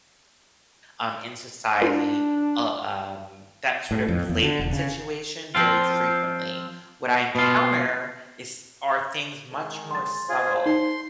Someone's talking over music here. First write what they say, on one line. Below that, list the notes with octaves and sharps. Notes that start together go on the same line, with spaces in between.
um, in society, uh, um, that sort of blatant situation very frequently. What I encounter is are things much more subtle,
D4 E4 F4 A#4
A2
F2
E2
D3
E1
C#3
F3 C4 F4
B2 F4
D#3 G#3 G#4
C6 A6
F4 G#4 C5
D#4 C6